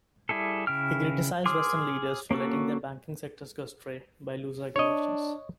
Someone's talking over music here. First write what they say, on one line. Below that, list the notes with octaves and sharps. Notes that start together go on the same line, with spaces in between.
He criticized Western leaders for letting their banking sectors go astray by loose regulations.
G3 E4 G#4 A4
C#3 E4 G5 F6
G#4 C6 D6 E6 F6
A#3 C#4 F#4 A4
D4 C#5 D#5